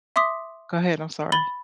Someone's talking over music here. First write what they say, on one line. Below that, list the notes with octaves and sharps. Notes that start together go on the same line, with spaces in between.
go ahead, I'm sorry.
E5 C6 D6 D#6 B6
B5 A6 G7